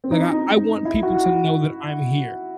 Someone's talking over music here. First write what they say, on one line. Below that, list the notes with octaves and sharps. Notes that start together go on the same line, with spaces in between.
like, I I want people to know that I'm here.
C4
D#4
D#4
E4
F#4